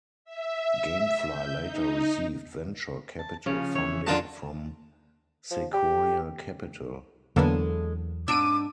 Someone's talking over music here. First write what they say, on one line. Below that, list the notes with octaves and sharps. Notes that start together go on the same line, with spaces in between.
GameFly later received venture capital funding from Sequoia Capital.
E5
G6
D#4
A5
C#3 F3 C#4
E3 C#5
D3 D#3 F#3 F4 A#4 A5
F3
G4
E2 D3 F#3 G#3 A#3 B3 A4
G#2 D4 D6 E6 D7 D#7